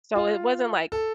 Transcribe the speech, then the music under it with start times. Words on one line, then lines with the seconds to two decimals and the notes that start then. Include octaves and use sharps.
So it wasn't like
0.15 F4
0.92 A4